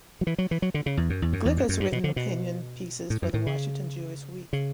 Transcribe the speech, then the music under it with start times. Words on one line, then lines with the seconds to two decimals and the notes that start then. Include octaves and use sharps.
Glick has written opinion pieces for the "Washington Jewish Week".
0.21 F#3
0.27 E3
0.38 F#3
0.51 E3
0.62 F#3
0.74 D3
0.86 C#3
0.97 E2
1.10 F#2
1.22 E2
1.33 F#2
1.45 E2
1.57 F#2
1.69 F#2
1.80 G2
1.92 B2
2.04 D3
2.16 B2
3.10 A2
3.22 F#2
3.34 A2
3.46 C#3
4.53 C#3